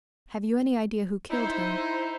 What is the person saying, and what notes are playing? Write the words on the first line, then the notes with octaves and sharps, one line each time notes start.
"Have you any idea who killed him?"
D#4 E4 C5